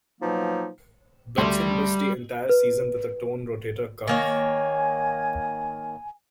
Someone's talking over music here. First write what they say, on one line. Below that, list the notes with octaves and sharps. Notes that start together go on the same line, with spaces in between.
Benson missed the entire season with a torn rotator cuff.
B2 F3 F#3 A#3 D#4
D2 G3 C6
B4
D#3 A#3 C#5 G#5